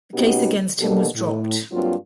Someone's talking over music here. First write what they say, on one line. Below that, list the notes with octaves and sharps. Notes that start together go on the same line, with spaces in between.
The case against him was dropped.
B2 B3 C#4 D#4 F#4 G4
B2 F#3 A#3 D4 G4 A4
A2
G2 F#3 A#3 C4 F4